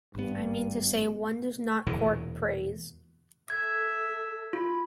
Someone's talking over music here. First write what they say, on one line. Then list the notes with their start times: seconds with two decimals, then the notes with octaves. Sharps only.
I mean to say, one does not court praise.
0.15 G#1 G2 B3
1.87 E1 E2 A#2 E3
3.50 A4 E5 G#6
4.53 F4 B5